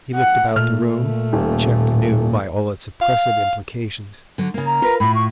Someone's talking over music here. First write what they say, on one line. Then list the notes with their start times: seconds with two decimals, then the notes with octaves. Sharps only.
He looked about the room, checked anew by all its oppressive implications.
0.16 F#5
0.56 A#2 A3 F6
1.33 D#1
3.01 F5
4.38 D3 F#3
4.54 C#3 A#3
4.66 A#5
4.82 F4 A#4 B4
5.00 A2 F4 B5
5.15 C#6